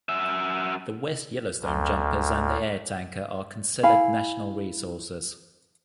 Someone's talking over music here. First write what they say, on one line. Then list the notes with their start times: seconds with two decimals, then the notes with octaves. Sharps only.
The West Yellowstone jumpers and the air tanker are considered national resources.
0.09 F#2 E5
1.61 D2
3.83 E4 F5 G#5 B5